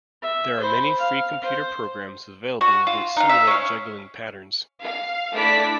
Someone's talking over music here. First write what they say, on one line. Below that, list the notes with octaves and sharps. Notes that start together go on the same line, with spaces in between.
There are many free computer programs available which simulate juggling patterns.
E5
C5 B5
F5
C5
F#4
F4
D#4 F5
E5
C#4 F5
F5
A3 D4 E4 D5 B6